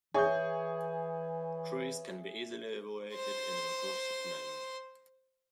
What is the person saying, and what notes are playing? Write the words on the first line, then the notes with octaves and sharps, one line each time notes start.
Trees can be easily evaluated in a recursive manner.
E3 G#4 C#5 E5 C#6 G6
C5 C6